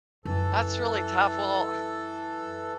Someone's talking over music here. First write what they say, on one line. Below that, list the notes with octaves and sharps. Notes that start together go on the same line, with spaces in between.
that's really tough. Well,
F#2 E3 A4